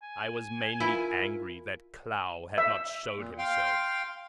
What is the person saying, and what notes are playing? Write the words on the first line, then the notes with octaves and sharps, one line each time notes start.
I was mainly angry that Klow had not showed himself.
G#5
E4 F4 A#4
E5
A#2
F5 G5 C6